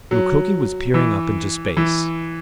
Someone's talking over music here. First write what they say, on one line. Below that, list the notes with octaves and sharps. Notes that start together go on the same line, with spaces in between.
Mukoki was peering up into space.
F#3
E3
E3